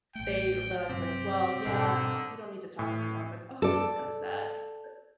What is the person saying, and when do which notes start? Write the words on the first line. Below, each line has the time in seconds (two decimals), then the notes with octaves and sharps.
they're they're, like, going, "Well, yeah, we don't need to talk anymore." I'm like, "Ugh, that's kinda sad.” But
0.15 A1 A3 G5
0.90 G2 C3 F#3 C4 G4
1.65 G#2 B2 D3 D#3 G3
2.79 A2
3.62 A4 D5